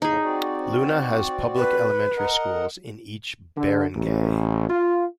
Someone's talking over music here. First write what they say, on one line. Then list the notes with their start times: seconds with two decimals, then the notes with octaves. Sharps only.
Luna has Public Elementary schools in each barangay.
0.02 F2 A2 C#3 D#4 G#4
0.24 C4 F#4 D5
1.57 B4
2.17 A#4 D#5 F#5
3.57 D3
3.96 A1
4.70 F4